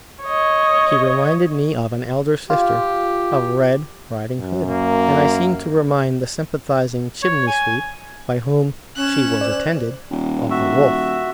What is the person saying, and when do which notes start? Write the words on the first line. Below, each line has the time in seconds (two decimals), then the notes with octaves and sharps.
She reminded me of an elder sister of Red Riding Hood, and I seemed to remind the sympathising Chimney Sweep by whom she was attended, of the Wolf.
0.23 C#5 D#5
2.50 F4 G4
4.38 F#2
4.68 A#3
7.23 C#5
7.47 G#5
8.97 C#4 F#6 E7
9.41 C5 D5
10.11 D#1
10.50 F#4 E5